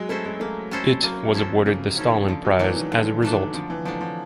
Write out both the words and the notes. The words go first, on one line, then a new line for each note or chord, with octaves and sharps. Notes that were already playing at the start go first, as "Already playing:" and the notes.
It was awarded the Stalin Prize as result.
Already playing: F#3 G#3
A3 C#4 E4 A4 C5
G#3
A3 A#3
C#4 E4 A4 C5
F#3 A#3
F3 C#4 E4 A4 C5
C#3 A#3
D#3 C#4 E4 A4 C5
D3 F3
F#3
E3 F#3 A3 D4
D#3
D3
D#3 F#3 A3 D4
D3 F3
E3
F3 F#3 A3 D4
F3